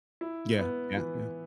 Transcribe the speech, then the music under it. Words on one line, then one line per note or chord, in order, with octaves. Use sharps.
Yeah, yeah, yeah.
E4
B3
E3